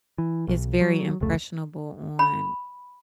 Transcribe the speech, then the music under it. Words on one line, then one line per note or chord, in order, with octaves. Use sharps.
It's very impressionable on
E3
B1
F#3
F1 C#2 A3
B5